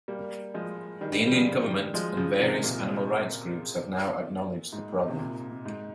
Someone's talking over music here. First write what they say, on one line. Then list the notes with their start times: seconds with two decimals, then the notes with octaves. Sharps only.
The Indian government and various animal-rights groups have now acknowledged the problem.
0.08 G3 A#3
0.54 F3 G#3
1.01 D#3 G3
1.27 G3
1.31 C#3 F3
1.63 D#3 G3
1.94 F3 G#3
2.17 C#3 F3
2.40 C3 D#3
2.63 A#2
4.72 G#2
5.08 C3
5.19 A#2
5.65 G#2